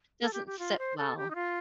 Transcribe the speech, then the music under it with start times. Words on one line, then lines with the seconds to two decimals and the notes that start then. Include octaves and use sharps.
doesn't sit well,
0.21 A4
0.33 G4
0.47 G4
0.59 F4
0.79 C5
0.98 A4
1.17 G4
1.30 D#4
1.35 F4